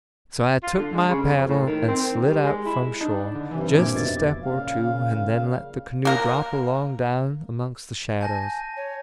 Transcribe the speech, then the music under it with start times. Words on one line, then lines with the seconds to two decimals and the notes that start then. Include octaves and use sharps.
So I took my paddle and slid out from shore just a step or two, and then let the canoe drop along down amongst the shadows.
0.63 F4
0.76 D3
0.93 G#3
1.10 C#3
1.22 F2
1.48 A2
1.67 D#3
1.88 C4
2.10 D#3
2.26 G3
2.44 G#3
2.66 E4
3.01 D4 D#4
3.35 D3
3.51 G2 C3 E3
3.78 A#2 D6 G#6
3.95 F1 B2 E5 A6
4.42 A#2 C#3 F5
6.05 A#3 A#4
8.21 G#5 A5 G6 A#6
8.77 C#5